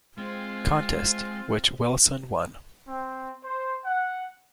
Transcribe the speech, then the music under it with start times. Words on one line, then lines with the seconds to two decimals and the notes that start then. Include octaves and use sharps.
Contest, which Wilson won.
0.18 G#3 C4 F4
2.87 C4
3.44 C5
3.85 F#5